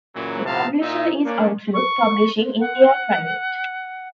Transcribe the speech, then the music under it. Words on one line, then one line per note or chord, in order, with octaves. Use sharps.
The publisher is Outlook Publishing India Pvt.
F#2 A#2 C#3 E3 F#3
A2 C3 F3 F5 A5 A#5
A#2 D#4 E5
A#3 C#4 D4
C#6
F#5